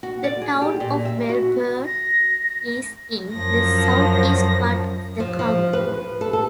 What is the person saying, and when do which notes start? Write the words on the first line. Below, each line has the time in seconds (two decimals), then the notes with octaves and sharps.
The Town of Marlborough is in the southeast part of the county.
0.03 F#4
0.24 D5
0.42 G#4
0.62 G4
0.80 A#2
1.05 E5
1.29 F#4
1.87 A#6
3.33 F#2 F3 A#6
5.20 F3
5.39 F3
5.73 B4
6.21 A4
6.33 A4